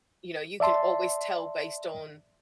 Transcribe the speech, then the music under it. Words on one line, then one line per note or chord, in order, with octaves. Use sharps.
you know, you can always tell based on,
D5 E5 A5 C6